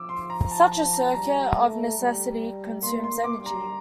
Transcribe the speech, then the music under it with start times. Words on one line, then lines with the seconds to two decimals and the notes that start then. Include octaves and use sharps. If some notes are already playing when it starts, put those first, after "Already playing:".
Such a circuit, of necessity, consumes energy.
Already playing: F3 D6 E6
0.09 C6
0.30 A#5
0.51 A5
0.72 A5
0.93 A#5
1.13 G3 A#5
1.55 A3
1.99 G3
2.82 A#3 C6
3.04 C6
3.10 A#3
3.24 D6
3.38 G3
3.46 A#5